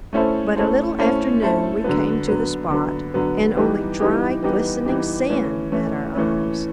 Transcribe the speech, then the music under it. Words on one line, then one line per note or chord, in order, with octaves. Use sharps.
But a little after noon we came to the spot, and only dry, glistening sand met our eyes.
A3 C#4 E4 A4 C5
A3 C#4 E4 A4 C5
A3 C#4 E4 A4 C5
A3 C#4 E4 A4 C5
D3 F#3 B3
D3 F#3 B3
D3 F#3 B3
D3 F#3 B3
E3 G3 B3 D#4 G4
E3 G3 B3 D#4 G4
E3 G3 B3 D#4 G4
E3 G3 B3 D#4 G4
E3 A3 C#4
E3 A3 C#4
E3 A3 C#4